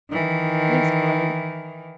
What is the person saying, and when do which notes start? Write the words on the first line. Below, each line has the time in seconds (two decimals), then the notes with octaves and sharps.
That's great.
0.11 D#3 E3